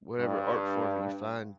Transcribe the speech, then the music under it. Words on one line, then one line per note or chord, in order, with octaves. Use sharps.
whatever art form you find
G2